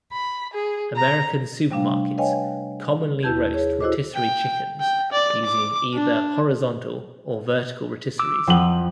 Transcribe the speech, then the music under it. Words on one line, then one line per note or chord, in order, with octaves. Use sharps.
American supermarkets commonly roast rotisserie chickens using either horizontal or vertical rotisseries.
B5
G#4
A#5
C3 G3 A3 D4 F5
B4 C#5 D#5 F5 G5 G#5
D#2 E4 B4 A5 G6 G#6
G#4 C#5
E4 F#4 A4 C5 D#5 D6
G5
G5
D5
D6
D4
D6 E6
F2 F3 F#5 F#7